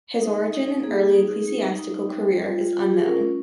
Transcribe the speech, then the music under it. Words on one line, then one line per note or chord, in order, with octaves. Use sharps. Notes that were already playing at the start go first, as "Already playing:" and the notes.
His origin and early ecclesiastical career is unknown.
D#4
D#4 D#5
A#3 G#4
D#4
D#4
D#4
G3
F4
F4
G4
G#4
C#4 A#4